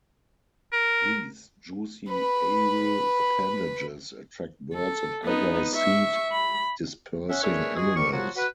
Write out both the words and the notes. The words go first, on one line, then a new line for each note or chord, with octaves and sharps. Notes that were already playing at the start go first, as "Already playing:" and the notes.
These juicy aril appendages attract birds and other seed dispersing animals.
A#4
B4 B5
A4
B3 D#4
E5 C#6
B5
C#4 E5 F#5
D4 G#4 A#4 B4 C#5 E5
G#3 F#4 G#4
C2 G3 G4 A#4 C#6
F3 F#3 B3 F4 F#4
F#4 B4